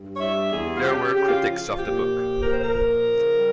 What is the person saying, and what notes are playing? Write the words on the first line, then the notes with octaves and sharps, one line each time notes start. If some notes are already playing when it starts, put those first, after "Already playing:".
There were critics of the book.
Already playing: G2
C#5
G3 E5
E2 G#4
F4
C#3 G4
C#3 G4
F4
F3 F4
A#2 G4
F3
A#2 A#4
C5
A#4
F3
C#3
G3